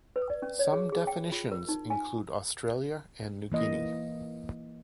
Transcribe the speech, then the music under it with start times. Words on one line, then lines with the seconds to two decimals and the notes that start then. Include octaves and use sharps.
Some definitions include Australia and New Guinea.
0.16 B4
0.30 D5
0.42 C#4
0.59 C#5
0.73 G#4
0.92 G#4
1.07 G5
1.32 F4
1.52 A#4
1.69 D#4
1.90 G#5
3.52 E3 A#3 D#5